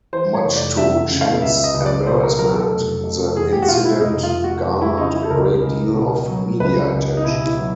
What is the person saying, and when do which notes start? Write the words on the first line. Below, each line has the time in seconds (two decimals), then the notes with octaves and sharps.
Much to Cheng's embarrassment, the incident garnered a great deal of media attention.
0.13 E3 C5
0.34 C#5
0.45 F1
0.56 D5
0.77 E2 E5
1.10 C#3
1.21 F5
1.42 C#2 E5
1.64 D#5
1.74 C#2
1.86 D5
2.07 B2 C5
2.23 A#4
2.39 F#3 A#4
2.55 A4
2.71 F1
3.04 F1
3.36 E2 G#4
3.53 G4
3.62 F#4
3.68 B2 F4
3.85 E4
4.01 F1 D#4
4.23 F4
4.33 F1
4.44 F#4
4.66 F2
4.82 E4
4.98 C#3 D#4
5.14 E4
5.25 A4
5.30 C#2 A#4
5.63 C#2
5.95 B2
6.27 F#3
6.60 C#2 B4
6.92 C#2
7.17 D#4
7.24 B2 E4
7.46 E4
7.57 F#3